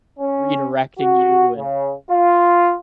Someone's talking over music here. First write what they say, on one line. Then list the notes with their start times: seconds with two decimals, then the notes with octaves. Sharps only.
redirecting you, and
0.19 C#4
0.98 F#4
1.57 C#3
2.11 F4